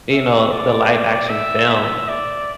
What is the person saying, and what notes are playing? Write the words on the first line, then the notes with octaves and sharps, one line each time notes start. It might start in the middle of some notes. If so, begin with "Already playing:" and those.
you know, the live action film.
E5
D5
E5
E5
D5